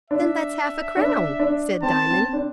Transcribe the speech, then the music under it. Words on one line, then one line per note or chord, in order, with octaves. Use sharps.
"Then that's half-a-crown," said Diamond.
D4 E5
D4
D4
C4 A5
C4
D4